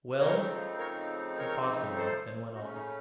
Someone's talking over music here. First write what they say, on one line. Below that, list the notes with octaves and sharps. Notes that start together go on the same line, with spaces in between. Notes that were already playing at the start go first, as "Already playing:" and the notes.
Well!' he paused a moment, then went on.
C#3 F3 A3 C4 D#4 A#4 C#5
A#4 C#5
A#4 C#5
A4 C5
C#3 A3 C#4 D#4 F#4
D#4